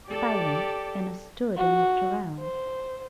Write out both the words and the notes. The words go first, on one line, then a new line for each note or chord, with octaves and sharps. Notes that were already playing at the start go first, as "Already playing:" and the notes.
Silent, Anna stood and looked around.
G4 A4 D5
F#4
C5